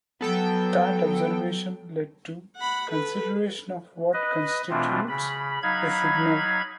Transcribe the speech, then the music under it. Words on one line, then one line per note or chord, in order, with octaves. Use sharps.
That observation led to consideration of what constitutes a "signal".
F#3 B3 A4 G5
F#5 B5
A4 B4
B4 D#5
B2 E3 A3 C4 D4 F4
C#3 B5
F#3 D#4 F5 B5 G#6